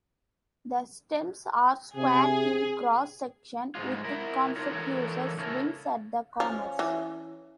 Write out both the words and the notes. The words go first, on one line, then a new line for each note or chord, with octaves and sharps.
The stems are square in cross section, with conspicuous wings at the corners.
C3 G#4
G#2 G#3 F4
E4 A#4
D4 D#4 F4 A#4 C#5
E3 A4 A#4 C#5
C#3 C#4 E4 A4 A#4
F3 C#4
E3